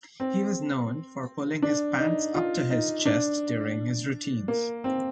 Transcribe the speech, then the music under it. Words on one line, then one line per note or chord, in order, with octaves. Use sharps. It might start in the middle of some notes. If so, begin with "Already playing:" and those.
He was known for pulling his pants up to his chest during his routines.
C4
D4
D#4
F4
D#4
D4
A#3
C4